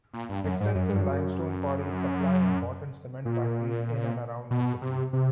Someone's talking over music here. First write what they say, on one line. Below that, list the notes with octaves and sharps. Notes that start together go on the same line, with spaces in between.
Extensive limestone quarries supply important cement factories in and around the city.
A#2
G2
F#2
G#2
F#2
G2
F#2
A#2
B2
C3
C3